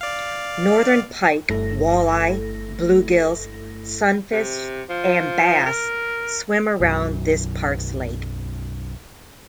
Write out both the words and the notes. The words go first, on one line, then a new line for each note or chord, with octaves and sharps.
Northern pike, walleye, bluegills, sunfish and bass swim around this park's lake.
D5 F5
G1 G2 A3 E4 A4 A#6
C3
F3
A#4
B1 F#2